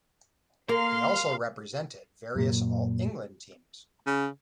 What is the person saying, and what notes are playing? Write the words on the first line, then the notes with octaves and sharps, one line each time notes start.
He also represented various All-England teams.
A#3 A#4 F5 C6 F6
F#2 A#2
C#3